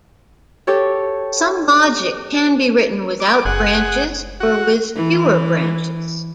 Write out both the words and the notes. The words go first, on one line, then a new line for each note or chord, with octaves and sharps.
Some logic can be written without branches or with fewer branches.
G4 A4 C#5
D6
F#1 G#4 F#5
F#4
E3